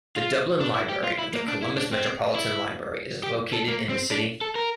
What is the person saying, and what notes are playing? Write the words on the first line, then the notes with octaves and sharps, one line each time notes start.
The Dublin Library of the Columbus Metropolitan Library is located in the city.
F4
D4
E4
G4
F4
E4
A#3
D4
E4
D4
C4
E4
G4
A4
A#3
C4
D4
A4
A#4